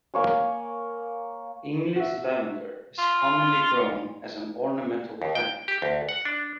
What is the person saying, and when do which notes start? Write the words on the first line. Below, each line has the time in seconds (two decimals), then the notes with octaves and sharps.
English lavender is commonly grown as an ornamental plant.
0.14 A#3 C#5 G#5
1.96 F#4 E5
2.99 F4
5.22 D#2
5.35 G5
5.68 G4
5.82 D2
6.09 F#5
6.25 D4